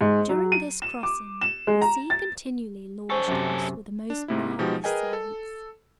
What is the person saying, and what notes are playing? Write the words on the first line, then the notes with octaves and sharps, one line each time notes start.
During this crossing, the sea continually lavished us with the most marvelous sights.
G#2
F#3
D#7
E7
D6
E7
G#3
A#5
A6
C#4 A4 C5 G#5 C#6
F#2 C3
D4
G#2 C3 E4
B2 F3 G#3 D#4 G4
G#4 A#4 B4 D#5 G5 G#5
A4